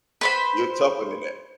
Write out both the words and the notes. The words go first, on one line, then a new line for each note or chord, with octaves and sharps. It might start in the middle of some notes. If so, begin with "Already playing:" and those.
you're tougher than that.
B4 C5 B5